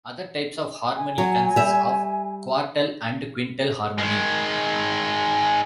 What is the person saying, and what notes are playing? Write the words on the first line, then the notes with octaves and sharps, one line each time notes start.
Other types of harmony consist of quartal and quintal harmony.
G#5
F#3
G3 E5
D#3 G#3